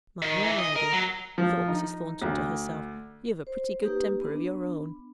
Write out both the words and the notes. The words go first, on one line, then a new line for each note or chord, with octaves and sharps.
'My young lady,' thought Mrs. Thornton to herself; 'you've a pretty good temper of your own.
D#3
E3
D#5
A#4
F#3
F3
D#4
D2
C5
A#3 D#4 G4 B4
B3 D4